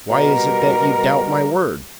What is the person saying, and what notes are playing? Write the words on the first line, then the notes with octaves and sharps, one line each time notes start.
"Why is it that you doubt my word?"
B2 G3 A#4 A#5